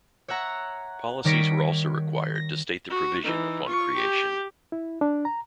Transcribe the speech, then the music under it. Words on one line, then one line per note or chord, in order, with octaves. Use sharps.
Policies were also required to state the provision upon creation.
C#5 E5 F#5 A#5
D#3 G3 C#5 A#6 B6 D7
A#6
F#4
E3 D#4
F4 C#6
G4
E4
D4
A#5